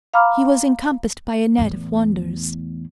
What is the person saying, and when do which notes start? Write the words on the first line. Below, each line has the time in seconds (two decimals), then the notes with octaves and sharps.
He was encompassed by a net of wonders.
0.14 F5 A#5 B5 D6 F6
1.58 E2 A2